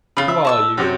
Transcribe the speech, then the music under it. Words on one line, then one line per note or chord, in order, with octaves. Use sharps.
"Who are you?"
C#3 F4 B5
E5
A5 C#6 E6
F#2 C3 F#3